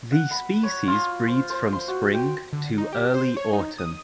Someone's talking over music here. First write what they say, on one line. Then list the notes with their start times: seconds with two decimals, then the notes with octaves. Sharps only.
The species breeds from spring to early autumn.
0.12 F#5
0.31 B5
0.63 C#5
0.88 F4
1.27 C5
1.50 C5
1.73 C6
1.88 F#4
2.14 G5
2.53 D3
2.78 D#4
2.93 G4
3.14 C5
3.37 C#5
3.53 D#4
3.78 D#6